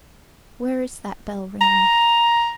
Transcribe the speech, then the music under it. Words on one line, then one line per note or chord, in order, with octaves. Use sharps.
Where is that bell ringing?
A#5